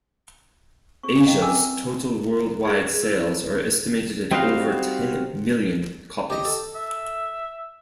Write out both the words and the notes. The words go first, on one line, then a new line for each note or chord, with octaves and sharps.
"Asia"'s total worldwide sales are estimated at over ten million copies.
C4 G#4 C#6
E4 D#5 F5 G5 A#6 G7
B4 G#5 D6 E6
G#4
E4
G3 C4 D#4 F#4 C5 F5
G4 D#5
A4
E5